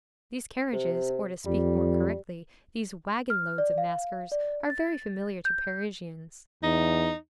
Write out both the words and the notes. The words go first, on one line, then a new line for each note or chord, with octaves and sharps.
These carriages, or to speak more correctly, these wagon-loads of maskers are very familiar to Parisians.
C3
F2 G3
F6
D5
F5
D5
A6
G6
E2 D#4